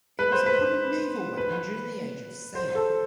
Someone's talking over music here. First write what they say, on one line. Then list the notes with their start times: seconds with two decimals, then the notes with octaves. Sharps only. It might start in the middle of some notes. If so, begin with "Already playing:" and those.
It was a common naval weapon during the Age of Sail.
0.19 B4
0.32 C5
0.46 B4
1.37 B4
2.55 C5
2.75 A4